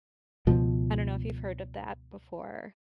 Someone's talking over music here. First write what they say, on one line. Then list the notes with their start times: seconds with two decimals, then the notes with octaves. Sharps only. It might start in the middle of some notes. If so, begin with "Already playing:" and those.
I dunno if you've heard of that before
0.47 C#2 B2 F3